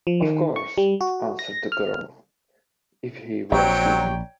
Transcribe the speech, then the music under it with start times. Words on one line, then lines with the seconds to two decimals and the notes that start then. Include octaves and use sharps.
"Of course," answered the girl, "if he will see me."
0.07 F3
0.22 D#3
0.56 C#6
0.78 G3
1.01 F#4
1.39 A#6
1.72 F6
3.52 A#1 F#3 C4 C#5 D5 G5 A#5